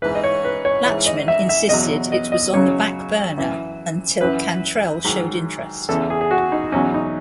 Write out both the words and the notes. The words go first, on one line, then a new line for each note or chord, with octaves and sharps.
Lachman insisted it was on the "backburner" until Cantrell showed interest.
G#2 E3 B4
D#5
C#5
B4
C#5
E3 C#5
G#2
D#5
E5
E5
E2 B2 F#3 D#5
D#5
D#5
F#2 C#3 F#3 C#5
F#2 E3
F#2 E3 B4
G#2 D#3 F#3
E2 C#3 E3 A4
G#4
G#4
F#4
D#4
E2 B2 F#3 C#4
D#4